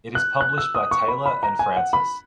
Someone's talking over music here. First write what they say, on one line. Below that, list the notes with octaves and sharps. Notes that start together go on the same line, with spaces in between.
It is published by Taylor and Francis.
F#6
F#6
E6
D#6
C#6
B5
B5
A#5
G#5
F#5
B5